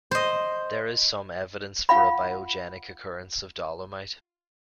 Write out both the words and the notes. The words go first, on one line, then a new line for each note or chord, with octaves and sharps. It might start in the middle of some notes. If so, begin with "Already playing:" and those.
There is some evidence for a biogenic occurrence of dolomite.
C5 D#5
F4 F5 F#5 B5